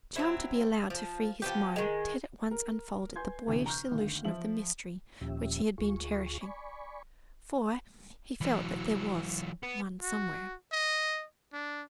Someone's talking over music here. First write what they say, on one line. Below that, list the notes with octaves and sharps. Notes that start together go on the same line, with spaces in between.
Charmed to be allowed to free his mind, Ted at once unfolded the boyish solution of the mystery which he had been cherishing, for he felt that there was one somewhere.
F#3 C4 E4
F3
F3 B3 G4
D#3 G#3
A#4
B4 G#5 C6 G6 G#6
A1 D2 C3
A#5 C#6 F6 G6
G#1 D2
F3 E5 F#7
D#2 A#2 F3 C#4 G4 E5
D2 F4 G#4 C#6
D5 G#5 B5 C#6
E3 F#3
B3
F#4
D#5
D4